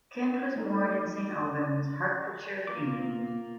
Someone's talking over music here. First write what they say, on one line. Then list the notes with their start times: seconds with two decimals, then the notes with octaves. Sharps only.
Kent was born in Saint Albans, Hertfordshire, England.
0.56 A3 D#4 A4
2.67 A#3 F4 D6